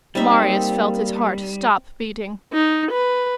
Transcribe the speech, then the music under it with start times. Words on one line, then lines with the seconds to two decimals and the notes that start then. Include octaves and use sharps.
Marius felt his heart stop beating.
0.15 G3 A#3 C4 D#4 E5
2.53 D#4
2.92 B4